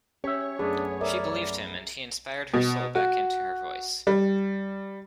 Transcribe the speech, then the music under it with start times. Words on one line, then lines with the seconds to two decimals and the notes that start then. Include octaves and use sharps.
She believed him, and he inspired her soul back into her voice.
0.24 C#4 G4 C#5 E5
0.59 F#2 A3 B3 D4 G#4
1.01 A#4 D5 E5
2.54 B2
2.95 F#4
4.07 G3